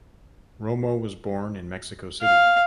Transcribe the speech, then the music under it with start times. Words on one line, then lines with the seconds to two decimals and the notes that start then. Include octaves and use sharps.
Romo was born in Mexico City.
2.22 F5